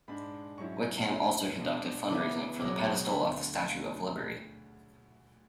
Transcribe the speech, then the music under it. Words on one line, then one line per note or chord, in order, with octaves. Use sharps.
Wickham also conducted fundraising for the pedestal of the Statue of Liberty.
G#2 G#3 D4 B5
G#2 F#3 C#4 E4 C#6
D2 D3 G#3 C#4 E4
B2 G#3 D4
C#3 E3 B3 E4 D6
C#2 B2 F#3 C#4 D6
C#6
D2 D3 A3 B5